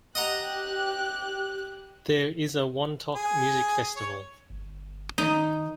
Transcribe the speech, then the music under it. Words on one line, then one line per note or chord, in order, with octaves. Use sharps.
There is a Wantok Music Festival.
G4 D#5 F#5 A#5 F#6
G#4
C#5
G1
D#3 D#4